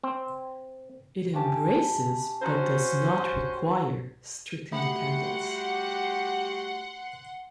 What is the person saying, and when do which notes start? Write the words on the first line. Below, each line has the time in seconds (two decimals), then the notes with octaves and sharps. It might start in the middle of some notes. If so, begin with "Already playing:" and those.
It embraces but does not require strict Independence.
0.04 C4
1.34 C#4 G4 A5
2.42 C#4 F#4 C5 A#5
4.72 G3 A3 F#4 G4 F#5 B5 C6